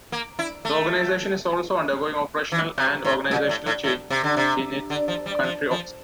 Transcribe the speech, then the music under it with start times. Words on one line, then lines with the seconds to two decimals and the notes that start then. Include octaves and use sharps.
The organization is also undergoing operational and organizational change in its country offices.
0.12 A#3
0.39 E4
0.65 A3
2.52 E3
2.78 C3
3.04 A2
3.31 A#2
3.49 A2
3.66 A2
3.84 A2
4.10 C3
4.24 D3
4.37 C3
4.90 D3
5.08 F3
5.26 G3
5.43 F3
5.71 F3